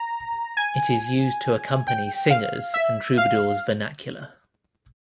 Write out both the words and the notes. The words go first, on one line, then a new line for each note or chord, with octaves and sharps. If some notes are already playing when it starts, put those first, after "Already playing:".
It is used to accompany singers' and troubadours' vernacular.
Already playing: A#5
G#5
G5
F5
E5
F5